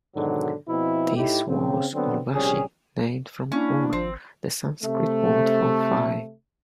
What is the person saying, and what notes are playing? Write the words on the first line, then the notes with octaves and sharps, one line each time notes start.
This was Urvashi, named from ur, the Sanskrit word for thigh.
G#2 B2 D3 D#3 F#3
B2 F3 C4 E4
A2 D#4 E4 G4
C#3 C4
D3 F#3 B3 C4
A#1 C3 G3 C#4 G#4
A#3 C#4 D4 E4
G#1 F3 C4
C3 A3